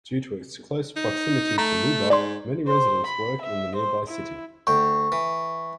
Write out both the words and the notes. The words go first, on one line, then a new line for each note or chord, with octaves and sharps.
Due to its close proximity to Lubbock, many residents work in the nearby city.
D#4
A3 A#5
G#2 D5 C6
C5
B5
E5
C5
E4
D2 G5 C#6
E3